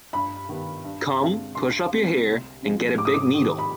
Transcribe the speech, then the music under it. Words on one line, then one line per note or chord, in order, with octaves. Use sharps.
Come, push up your hair and get a big needle.
G2 B5
D#3 G3 B3
G2
D3 G#3 C4
D2 C6
D3 G#3 C4
C2
C3 F3 G#3
G#2 D6
D#6
D6
D#3 G3
B5